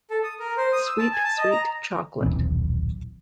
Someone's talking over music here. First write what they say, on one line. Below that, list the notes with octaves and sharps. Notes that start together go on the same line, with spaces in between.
Sweet, sweet chocolate.
A4
D#6
A#4
C5
D#6
E6
A5
G#5
A5
D#5
A#5
D#1 B1 E3 C4